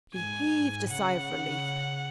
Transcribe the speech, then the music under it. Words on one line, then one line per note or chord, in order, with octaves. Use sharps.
She heaved a sigh of relief.
G#2 G#5
C#3 F#5